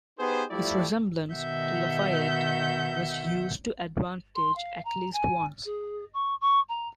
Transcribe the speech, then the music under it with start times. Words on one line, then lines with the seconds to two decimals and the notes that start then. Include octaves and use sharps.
His resemblance to Lafayette was used to advantage at least once.
0.19 B3 D#4 G4 G#4 B4 C5
0.49 F3 G3 A3 E4 G4 D5
1.33 B2 D#3 E5 F#5 G6
4.35 C6
4.56 F5
4.85 A#5
5.13 G#5
5.65 G#4
6.14 C#6
6.41 C#6
6.69 A#5